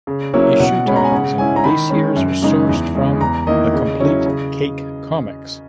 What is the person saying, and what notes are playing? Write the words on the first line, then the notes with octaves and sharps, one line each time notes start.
Issue titles and release years are sourced from "The Complete Kake Comics".
C#3
F#3 A#3 C#4 E4
B2 F#5
G#3 C#4 B5
A#5
G#5
C#3 F#5
G#3 C#4 E4 G#5
A#5
D#3 B5
G#3 C#4
F#2
C#3 G#3 D#4
E2
C#3 G#3
E2 A#5
D#3 A#3 E4 D#5
C#3
F#3 C#4 E4
C#3